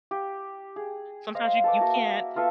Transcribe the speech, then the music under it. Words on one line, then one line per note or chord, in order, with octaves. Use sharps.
Sometimes you you can't
G4
G#4
C5 D#5 F5 C6
A4 B4 D6
A#3 F#4 E5
B3 F4 A4 E5